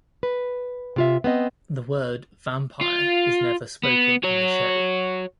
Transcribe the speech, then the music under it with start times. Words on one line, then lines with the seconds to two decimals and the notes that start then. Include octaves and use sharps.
The word "vampire" is never spoken in the show.
0.23 B4
0.96 C3 F4 E5
1.24 B3 C4 D#5
2.81 F4
3.83 B3
4.23 F#4 C#5